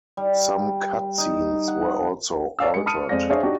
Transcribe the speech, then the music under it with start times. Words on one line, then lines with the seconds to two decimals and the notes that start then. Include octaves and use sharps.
Some cutscenes were also altered.
0.17 G3
1.18 D#4
1.68 F#5
2.59 C#5 D5 F5 E6
2.74 G#3 C#7
2.86 A5 B5 D#6 F6 C#7 D#7
3.09 F2 G#3 C5 D5 F5 A#6
3.30 D4 G#4 C5 C#5 E5 F5
3.43 D4 D#4 F#4 G4